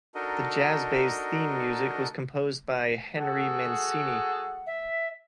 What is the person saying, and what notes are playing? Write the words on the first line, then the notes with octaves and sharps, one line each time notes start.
The jazz-based theme music was composed by Henry Mancini.
D4 D#4 F#4 A4 A#4 D#5
F#4 G#4 A4 F#5
E5